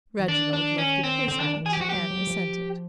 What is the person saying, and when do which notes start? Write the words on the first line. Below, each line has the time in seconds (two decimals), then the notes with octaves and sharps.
Reginald lifted his hat and assented.
0.20 E3
0.28 D#3 D4
0.53 D4
0.78 C#4
1.04 C4
1.28 D3 C4
1.40 D#3 D4
1.61 E3
1.66 G#4
1.73 G4
1.77 F3 F#4
1.89 G4
1.95 F#3
2.11 F#3
2.27 F3